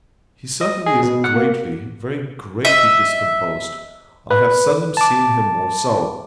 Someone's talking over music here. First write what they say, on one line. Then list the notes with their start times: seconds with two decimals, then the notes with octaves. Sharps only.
He certainly is greatly, very greatly discomposed; I have seldom seen him more so.
0.61 D#5
0.86 G#4
1.03 B2
1.24 F#5
1.36 A#3
2.65 D#5 E5
4.31 B4
4.97 A5 D6